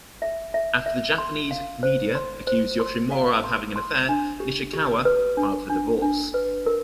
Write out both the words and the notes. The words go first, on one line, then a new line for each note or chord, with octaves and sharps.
After the Japanese media accused Yoshimura of having an affair, Nishikawa filed for divorce.
E5
E5
E5
C6
F5
C5
C6
C5
C6
F5
C6
C6
D4
G4
G4
B4
D4
D4
D4
B4
A#4